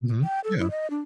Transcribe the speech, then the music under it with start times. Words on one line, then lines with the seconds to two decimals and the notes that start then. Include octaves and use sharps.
Mhm, yeah.
0.24 G5
0.44 A4
0.59 E4
0.71 D#5
0.90 D4